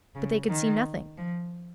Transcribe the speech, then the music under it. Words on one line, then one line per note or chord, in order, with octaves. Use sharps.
But they could see nothing.
C#3
D#3
F3